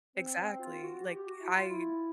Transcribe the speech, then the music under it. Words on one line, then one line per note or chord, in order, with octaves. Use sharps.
Exactly, like, I
C4
C4
F4
F#4
G4
F#4
E4
F4
E4